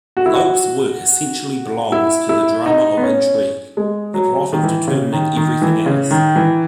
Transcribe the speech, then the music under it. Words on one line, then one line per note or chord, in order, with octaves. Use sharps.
Lope's work essentially belongs to the drama of intrigue, the plot determining everything else.
F#4
E4
F#4
E4
E4
D#4
B3
C#4
G#3
F#3
D#3
E3
C#3
D#3
D#3
E3
C#3
D#3
E3